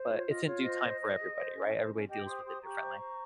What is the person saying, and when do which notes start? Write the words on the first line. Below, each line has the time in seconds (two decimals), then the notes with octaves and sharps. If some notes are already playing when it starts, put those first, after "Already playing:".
but it's in due time for everybody, right? Everybody deals with it differently.
Already playing: C5
0.09 F4 C#5
0.28 F4 D#5
0.45 F4 C#5
0.63 C5 D#5
0.82 C5
1.00 C5
1.18 G#4
1.36 C5
1.54 C#4
1.72 C5
1.90 C#4
2.08 G4 D#5 G5
2.26 C5 C6 D#6
2.45 G4 C6 D#6
2.62 G4 A#5 C#6
2.81 C5
2.99 C5